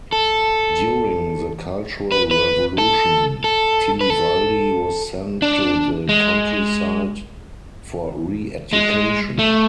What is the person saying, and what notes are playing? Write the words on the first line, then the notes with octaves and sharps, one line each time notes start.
During the Cultural Revolution, Tiliwaldi was sent to the countryside for "re-education".
A4
B4
B4
A4
A4
B4
A4
D4
G#3
G#3
A3